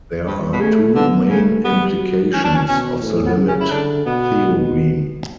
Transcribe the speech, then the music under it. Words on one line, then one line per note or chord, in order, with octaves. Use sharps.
There are two main implications of the limit theorem.
G2 G3
B2
C#3 A3
D3 B3
C#3 A3
G3 B3
F#3
E3 C#4
D4
C#4
B2 C#4
A2
B3
C#3
C#4
E4
D3 D4
B2 B3